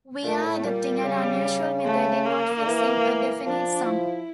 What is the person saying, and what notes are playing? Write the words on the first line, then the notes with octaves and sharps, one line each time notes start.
We are adopting an unusual method in not fixing a definite sum.
A#2 A3
A2
A#2 G3
C#3
A3
A#3
D3
E3
F3 D4
E4